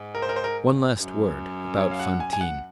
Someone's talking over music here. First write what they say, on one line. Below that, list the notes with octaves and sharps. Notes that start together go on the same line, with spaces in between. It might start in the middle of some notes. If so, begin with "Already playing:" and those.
One last word about Fantine.
Already playing: G#2
A#4
C5
A#4
C5
A#4
F#2
C#5
F5
F#5
G#5
G#5
F#5